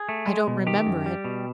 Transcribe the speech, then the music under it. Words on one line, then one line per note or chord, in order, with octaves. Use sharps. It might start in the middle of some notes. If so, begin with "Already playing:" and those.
I don't remember it.
Already playing: G#4
A3
G#3
B2
D#3 G4
F#2
G3
B2